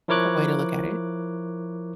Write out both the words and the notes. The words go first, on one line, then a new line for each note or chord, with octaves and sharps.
That's a way to look at it.
F3 E4 A#4 C#5 D6 F#6